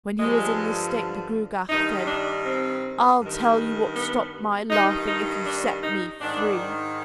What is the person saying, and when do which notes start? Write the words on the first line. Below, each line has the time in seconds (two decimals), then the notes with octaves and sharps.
When he was in this state the Gruagach said: "I'll tell you what stopped my laughing if you set me free."
0.20 G2 D3 F3 G#3
1.70 G2 D#3 D#4
2.08 D4
2.45 C4
3.20 G2 D#3
3.95 B3
4.70 G2 D#3 D#4
5.08 D#4
5.46 D4
5.84 D#4
6.21 G#2 D#3 D4